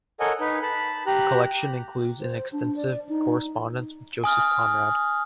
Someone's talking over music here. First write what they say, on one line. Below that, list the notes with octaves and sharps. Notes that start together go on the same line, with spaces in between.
The collection includes an extensive correspondence with Joseph Conrad.
A4 A#4 C#5 D#5 F#5 G#5
D#4 B4
A5 B5
G4 A#5 F#6
C5
D4
D5
D#4
G#5 D#6 F6